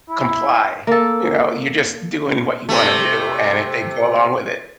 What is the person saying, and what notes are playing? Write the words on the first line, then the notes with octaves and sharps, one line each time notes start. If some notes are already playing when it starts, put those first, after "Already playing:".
comply, you know, you're just doing what you want to do, and if they go along with it,
E4
A#3 A4
C3 A3